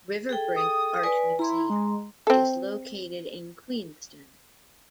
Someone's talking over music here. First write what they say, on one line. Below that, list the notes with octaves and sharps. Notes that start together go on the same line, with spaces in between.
RiverBrink Art Museum is located in Queenston.
G#4 A4 G5
D#6
B4 D5 G#5
E4 A#5 C6
G#3
C4 A4